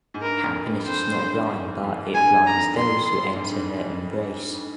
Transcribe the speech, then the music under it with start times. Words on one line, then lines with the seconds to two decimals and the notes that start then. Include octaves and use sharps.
Happiness is not blind, but it blinds those who enter her embrace.
0.14 G#2
0.22 G2 A#4
0.44 F2
0.66 G2
0.79 G2
0.86 F2 C5
1.18 G2
1.46 G2
1.50 G#2
1.83 F2
2.14 G2 G#5
2.46 G2 A#5
2.55 F2
2.73 F2
2.78 C6
3.35 G#2
3.42 G2